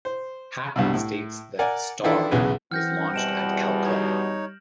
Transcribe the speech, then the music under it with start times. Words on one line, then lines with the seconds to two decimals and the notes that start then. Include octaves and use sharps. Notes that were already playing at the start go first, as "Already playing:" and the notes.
Hackman states that "Star" was launched at Calcutta.
0.05 C5
0.76 C2 G2 B2
0.94 A2
1.59 A#4 D5 F#5 G#5
2.04 D#3 E3 D4 E4 F4 A4
2.31 B1 E2 C#3 E3 B4 G#5
2.72 E3 C4 F#5 F6 G6 A#6
3.14 E2 B2 G3 D7 E7 F#7
3.84 D#4 C#5